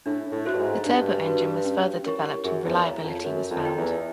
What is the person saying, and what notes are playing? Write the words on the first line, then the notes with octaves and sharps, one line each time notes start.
The turbo engine was further developed and reliability was found.
A2 D4
A2
F#4 A4 C5 E5
G2
G#2
G2 D4
F#4 B4
C#4
E4 G4 A#4 C#5
F#2 G#4
E2
C#5 F5 A#5
F2
F#2 A#4
F2
D#5 G5 A#5
E2